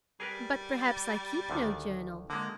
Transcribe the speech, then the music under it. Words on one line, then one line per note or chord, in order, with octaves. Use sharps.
"But, perhaps, I keep no journal."
G3 G#4 A#4 B4
D2 D3 D#3
D3 G#3 A#3